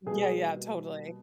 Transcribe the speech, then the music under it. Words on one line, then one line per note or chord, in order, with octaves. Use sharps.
Yeah, yeah, totally.
B2 G3 A#3 G#4